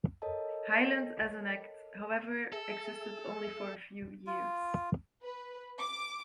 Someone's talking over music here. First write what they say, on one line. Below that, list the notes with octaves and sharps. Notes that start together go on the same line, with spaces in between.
Highland as an act; however, existed only for a few years.
A4 A#4 C#5 D#5 A5
G#4 A4 E5
F4
B4
D6